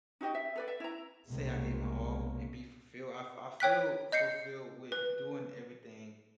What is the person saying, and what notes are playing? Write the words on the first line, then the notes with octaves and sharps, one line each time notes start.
say I gave my all, and be fulfilled I f I feel fulfilled with doing everything
D#4 F#4 G4 D#5
E5
A4 B4 D5
E5
E4 A#5
C2 B2 G#3 A#3 C#4
C#5 G5 F#6 B6
D#5 G6 C7 C#7
B4